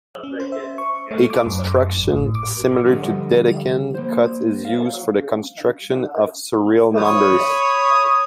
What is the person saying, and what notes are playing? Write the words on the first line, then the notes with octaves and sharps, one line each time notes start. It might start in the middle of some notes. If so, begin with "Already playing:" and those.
A construction similar to Dedekind cuts is used for the construction of surreal numbers.
C#4
C5
E5
C#6
A3
D6
F#2
G#1
A2
D6
D3 F3 G3 D4 D#5 F#5
A#3 C5
F5
C#5 B5 D#6